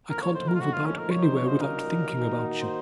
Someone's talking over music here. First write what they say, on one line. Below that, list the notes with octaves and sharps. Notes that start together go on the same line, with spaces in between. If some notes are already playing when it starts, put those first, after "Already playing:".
I can't move about anywhere without thinking about you.
A#2 F3 A3 D#4 A#4
C#5
C5
A#4
F4
F#4
F4
C#4
A#4
C2 A#2 F#3 A#3 D#4 C#5
C5
C#5
C5
A#4
D#3 A#3 D#4 F#4
C5